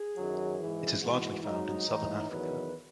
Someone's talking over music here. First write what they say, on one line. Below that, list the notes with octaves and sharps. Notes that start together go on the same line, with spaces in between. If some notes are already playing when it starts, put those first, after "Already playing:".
It is largely found in southern Africa.
Already playing: G#4
F#2 D#3 F#3
G#2 E3
G#2 E3 F#4
G#2 F#3 D#4
A2 E3
E2 D#3 F#3 B4